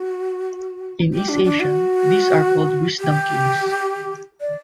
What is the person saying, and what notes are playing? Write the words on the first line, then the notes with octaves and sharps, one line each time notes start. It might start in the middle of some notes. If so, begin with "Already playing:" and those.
In East Asia, these are called Wisdom Kings.
Already playing: F#4
G4
D4
D4
F#4
G4
D5